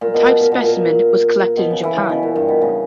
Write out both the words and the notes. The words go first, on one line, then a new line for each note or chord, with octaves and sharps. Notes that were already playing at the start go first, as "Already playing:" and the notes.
The type specimen was collected in Japan.
A#2
B2
B2
A#2
B2
A#2
B2
C#3
E3
C#3
B2
A#2
G2
B2
C#3